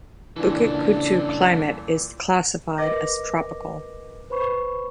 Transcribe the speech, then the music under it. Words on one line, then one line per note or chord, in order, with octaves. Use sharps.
Bukit Kutu climate is classified as tropical.
G2 A#2 C#3 E3 D4 A4
A#4 B4 D#5 D6 A#6
B4 C5 B5 C#6